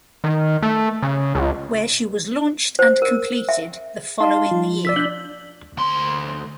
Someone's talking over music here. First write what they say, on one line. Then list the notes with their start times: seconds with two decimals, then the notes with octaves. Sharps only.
Where she was launched and completed the following year.
0.24 D#3
0.63 A3
1.03 C#3
1.35 C#2
2.79 C5
3.02 A#4
3.49 E5
4.20 D#4 F5 A5 C6
4.51 F3
4.85 D5 E6 B6
4.96 D4 F#6 G6
5.77 D2 C6